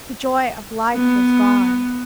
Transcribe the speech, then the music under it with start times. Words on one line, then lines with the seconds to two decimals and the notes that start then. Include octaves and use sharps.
The joy of life was gone.
0.93 B3